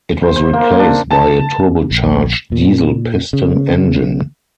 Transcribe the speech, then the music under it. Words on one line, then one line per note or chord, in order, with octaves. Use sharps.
It was replaced by a turbocharged diesel piston engine.
C5
C5
A#3
D4
A5
A#1
A#2
C#3